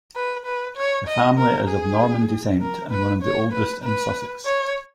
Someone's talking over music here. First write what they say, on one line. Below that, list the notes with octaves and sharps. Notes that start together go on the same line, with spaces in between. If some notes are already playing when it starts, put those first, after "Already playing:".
The family is of Norman descent and one of the oldest in Sussex.
B4
B4
C#5
D#5
A#4
G#4
A#4
B4
C#5
B4
B4
C#5